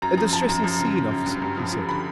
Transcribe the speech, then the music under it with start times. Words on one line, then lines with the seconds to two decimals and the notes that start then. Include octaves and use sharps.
'A distressing scene, officer,' he said.
0.02 F#2 A#5
0.17 F3 A#5
0.33 F3 A5
0.49 F#2 A#5
0.64 F3
0.80 C#3
0.95 F#2
1.11 F#2
1.26 G2
1.42 G2
1.57 F3
1.73 F3
1.89 D3 B5